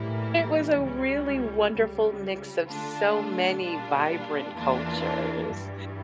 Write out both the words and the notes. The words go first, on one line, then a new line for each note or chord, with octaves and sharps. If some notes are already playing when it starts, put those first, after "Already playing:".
was a really wonderful mix of so many vibrant cultures.
Already playing: A2 E3 G3 A#3 E4
C#2 C#3 G3 C#4
C#2 C#3 G3
D3 A3 D4 F4
A#2 G3 D4 F4
E2 E3 A#3 D4 F4
G2 E3 G3